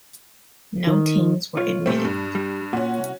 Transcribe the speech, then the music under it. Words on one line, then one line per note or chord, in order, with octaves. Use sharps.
No teams were admitted.
D#3
B1 F4 C#5
A#2 G3 A3 C4
G2
G3
A#2 C#4 F#4
C2